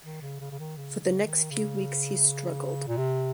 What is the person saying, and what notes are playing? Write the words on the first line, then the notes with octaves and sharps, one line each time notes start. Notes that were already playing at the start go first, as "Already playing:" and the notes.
For the next few weeks he struggled.
D#3
C#3
C#3
C#3
D#3
C#3
C#3
D#3
C#3
A#2
C3